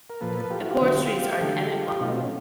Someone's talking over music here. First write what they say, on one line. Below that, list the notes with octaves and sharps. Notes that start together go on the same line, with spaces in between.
The poorest streets are in the Emmett Block.
A#4
A#2 F3 A#3 A4 B4
F4 G4
E4 F#4
F4 G4
D3 F#3 A#3 E4 F#4
F4 G4
D3 F#3 A3 G4 A4
F4 G4
B2 F#3 A3 D#4 F4
C4
C#4